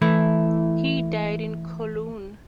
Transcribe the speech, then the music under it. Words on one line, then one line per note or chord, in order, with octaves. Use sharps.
He died in Cologne.
E3 A3 E4